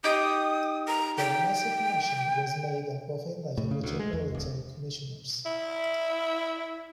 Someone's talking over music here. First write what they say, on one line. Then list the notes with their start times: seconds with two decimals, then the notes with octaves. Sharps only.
The Lunacy Commission was made up of eleven Metropolitan Commissioners.
0.04 D#4 G4 D#6 G6
0.88 A#5
1.18 G5
3.58 A2
3.71 C#3
3.84 D2
3.99 G#3
4.13 E2
4.35 D1
5.46 E4